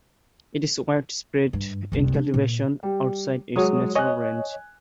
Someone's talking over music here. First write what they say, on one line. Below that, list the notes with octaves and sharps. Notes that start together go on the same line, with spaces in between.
It is widespread in cultivation outside its natural range.
G2
F#1 C2
D4
A#2
G3
F#3 G#3 F#4 C#5 D#6
C#5 D#5 G#5 F#6